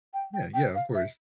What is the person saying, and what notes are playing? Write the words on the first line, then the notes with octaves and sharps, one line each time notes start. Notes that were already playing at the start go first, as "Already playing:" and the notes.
Yeah, yeah, of course.
G5
G5
G5
F5
E5